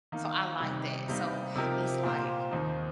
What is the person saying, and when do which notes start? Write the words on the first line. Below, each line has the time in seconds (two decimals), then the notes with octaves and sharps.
so I like that. So it's like
0.12 D#3 A#3 D#4
0.60 C3 D#3 G3 D#4 G4
1.08 C3 G3 A#3 D#4
1.55 C3 F3 D#4 G4 A#4
2.03 A#2 A#3 G4 C5
2.51 D#2 D#3 C4 D#4